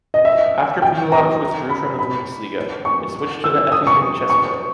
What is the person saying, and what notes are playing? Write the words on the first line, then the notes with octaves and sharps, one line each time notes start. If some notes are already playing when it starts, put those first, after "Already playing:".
After Bindlach withdrew from the Bundesliga, it switched to the Eppingen Chess Club.
D#5
E5
G5
A#5
B5
B5
C#6
E6
D#6
C#6
C#6